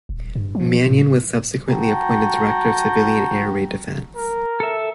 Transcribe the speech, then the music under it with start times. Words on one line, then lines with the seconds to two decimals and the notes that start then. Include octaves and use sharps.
Manion was subsequently appointed director of Civilian Air Raid Defence.
0.09 D#1
0.35 G2
0.55 F3
0.86 A2
1.67 F#4 G5 A5 A#5
4.15 A#4
4.60 A4 E5